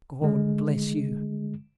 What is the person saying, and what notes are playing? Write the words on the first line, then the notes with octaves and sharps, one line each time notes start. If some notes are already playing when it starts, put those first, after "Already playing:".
God bless you!'
D3 G#3